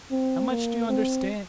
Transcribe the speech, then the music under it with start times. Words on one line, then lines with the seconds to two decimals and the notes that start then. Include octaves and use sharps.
How much do you understand?
0.11 C4
0.50 A#3
0.89 C4